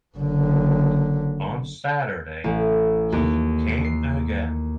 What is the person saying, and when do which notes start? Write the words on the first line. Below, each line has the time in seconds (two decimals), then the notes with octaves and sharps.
On Saturday he came again.
0.18 F#1 D3
2.44 A1
3.12 D#2
3.84 C7